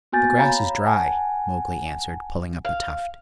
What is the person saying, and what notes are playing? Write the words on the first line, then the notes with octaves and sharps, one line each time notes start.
"The grass is dry," Mowgli answered, pulling up a tuft.
A#3 B3 F#4 G#5 G6 A6
C#5 F5 A#5 B5
F#5 G#5 A5
F5